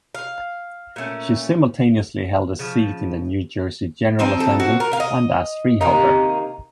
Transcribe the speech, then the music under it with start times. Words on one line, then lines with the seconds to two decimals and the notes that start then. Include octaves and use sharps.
She simultaneously held a seat in the New Jersey General Assembly and as Freeholder.
0.15 F5
0.96 A#2 A3 C#4
2.59 C#3 F3
4.19 F3 C4 D#4 C5
4.40 A4
4.60 F#4
4.80 A#4
4.93 F5
5.00 D#5
5.81 C3 D#3 A#3 D#4